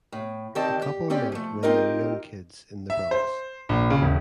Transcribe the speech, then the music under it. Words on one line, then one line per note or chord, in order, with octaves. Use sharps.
The couple met when they were young kids in the Bronx.
A2
D#3 C4 G4 D5 D#5 A5
G4
C4 C#4 G4 D5
F3 A3
C4 D#4 F4 G4 A#4 D#5
E5
C5
A#1
C#3
E1